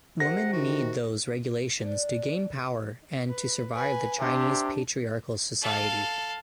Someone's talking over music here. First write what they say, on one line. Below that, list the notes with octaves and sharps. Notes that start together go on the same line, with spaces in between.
Women need those regulations to gain power and to survive the Chinese patriarchal society.
C3 A#4 F#5 A#6
D#3 F#4
D4
B4
B4 G#5
C3 D4 G4
A4 F5